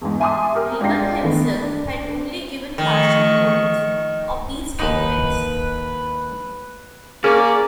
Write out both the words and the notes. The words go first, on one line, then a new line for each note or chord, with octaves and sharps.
Riemann himself had only given partial proofs of these statements.
E2 G#2
E5 G#5 A5 C6 D6 D#6
G4 A#4
G#2 D4 F4 G5 A#6 C7
D#3 A3 B3
D4
D#3 F3 A3 C#6
D#2 D#4 B4
A#3 C#4 G#4 D5